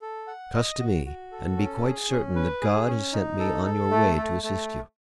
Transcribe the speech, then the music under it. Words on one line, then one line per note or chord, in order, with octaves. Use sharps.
Trust to me, and be quite certain that God has sent me on your way to assist you.
A4
F#5
D#5
F#4
F#4
A4
C#4
G#4
C#4
B4
G#4
C#4
D#4
A4
A4
A3
A3
A3